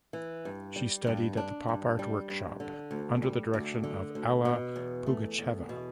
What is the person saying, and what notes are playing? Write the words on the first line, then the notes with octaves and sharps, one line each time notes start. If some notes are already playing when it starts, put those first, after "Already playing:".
She studied at the pop art workshop under the direction of Alla Pugacheva.
E3
G2
G3
G2
D4
G2
G3
G2
D3
D2
G3
D2
D3
D2
B2
E2
A3
E2
B2